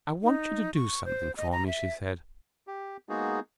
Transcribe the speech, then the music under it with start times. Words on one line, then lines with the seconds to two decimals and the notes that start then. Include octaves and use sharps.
"I want you to do something for me," she said.
0.24 D#4
0.75 C#6
1.05 C5
1.37 D#5
1.52 A#5
1.67 E5
2.67 G4
3.09 G#3 A#3 B3 D#4 F#4 G#4